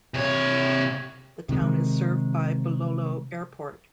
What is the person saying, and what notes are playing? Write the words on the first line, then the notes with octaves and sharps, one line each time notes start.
The town is served by Bulolo Airport.
C3 C#5
C3 D#3 G#3